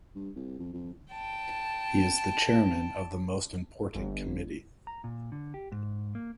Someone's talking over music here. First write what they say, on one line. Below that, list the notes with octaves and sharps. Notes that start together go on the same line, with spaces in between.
He is the Chairman of the Most Important Committee.
G2
C2
F2
F2
G5 A5
G1
A#5
A#2
D3
G4
G#2
A#3